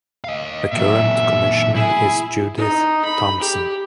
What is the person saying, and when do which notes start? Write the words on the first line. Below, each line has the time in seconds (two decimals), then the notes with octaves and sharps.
The current commissioner is Judith Thompson.
0.24 D#5 F5
0.73 A#2 F#3 E5
1.76 E4 G#4
2.57 D#4
3.05 B5
3.40 G4